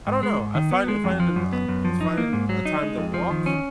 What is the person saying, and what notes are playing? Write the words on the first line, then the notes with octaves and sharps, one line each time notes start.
I don't know, I find I find m uh, it's finding a time to walk
G#2
G#3
G#2
D#3
B3
G#3
F2
F3
F#2
B3
F#2
F3
D#4
A#3
G#2
F#3
D#4
G#3
F2
F3
D#3
C#4